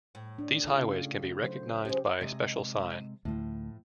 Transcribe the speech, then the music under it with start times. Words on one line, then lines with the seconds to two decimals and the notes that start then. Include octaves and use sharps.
These highways can be recognized by a special sign.
0.15 A2
0.39 D4
0.67 C#3 F4 F5
1.44 F#3 C5
1.85 F3 G#3 C#4 G4
2.20 C3 G#3 D#5
3.25 D2 A2 F3 A3